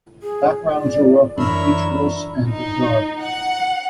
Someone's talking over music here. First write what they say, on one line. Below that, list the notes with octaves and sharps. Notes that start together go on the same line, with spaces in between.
Backgrounds are often featureless and dark.
G#4
D5
F#2 E3 D4 A#4 C#5 E5 B5
D#4
F#5